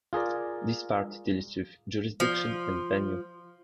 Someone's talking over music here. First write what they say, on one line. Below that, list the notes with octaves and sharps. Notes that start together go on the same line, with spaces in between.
This part deals with jurisdiction and venue.
F4 G#4 A#4 D5
F3